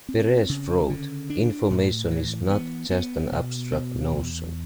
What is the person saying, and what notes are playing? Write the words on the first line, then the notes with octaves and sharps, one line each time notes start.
Peres wrote, Information is not just an abstract notion.
C4
C#3
D3
D4
A2
E3
B3
B3
B2
B2
E2